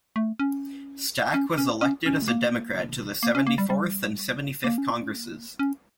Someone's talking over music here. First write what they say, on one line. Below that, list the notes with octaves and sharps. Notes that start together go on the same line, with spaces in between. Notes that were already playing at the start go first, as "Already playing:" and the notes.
Stack was elected as a Democrat to the Seventy-fourth and Seventy-fifth Congresses.
A3
C#4
C#4
C#4
C#4
C#4
A3
A#3
A#3
C#4
A#3
G3
G3
A#3
C#4
A#3
C#4
A#3
C#4